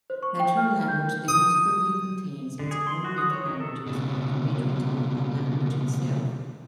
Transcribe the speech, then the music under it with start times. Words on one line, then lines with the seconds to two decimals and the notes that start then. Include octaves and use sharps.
Natural language demonstrably contains its own metalanguages, in which we talk about language itself.
0.10 C5
0.23 C#6
0.40 G5
0.57 F6
0.76 G5
0.88 G6
1.28 D#6
2.59 D3
2.71 G#4
2.87 C6
3.04 F#4
3.18 D#6
3.30 C#5
3.46 D#3
3.60 A4
3.86 C#2 B2